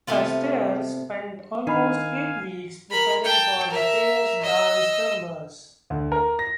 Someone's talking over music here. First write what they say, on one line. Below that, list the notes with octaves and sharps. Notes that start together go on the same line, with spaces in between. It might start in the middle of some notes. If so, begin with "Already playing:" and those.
Astaire spent almost eight weeks preparing for the film's dance numbers.
C3 A3 B3 F4
D#3 D4 D#5 F5 G#5 B5
A#4 B5
G5 A5
A#4 E5
D#5 E6
D2
A#4
A#6